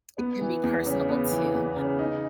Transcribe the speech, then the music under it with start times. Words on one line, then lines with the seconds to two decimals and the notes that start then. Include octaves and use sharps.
It can be personable too.
0.18 B3
0.41 E3
0.64 E2
0.86 C#3
1.09 B3
1.31 E3
1.54 E2
1.76 C#3
1.99 D#4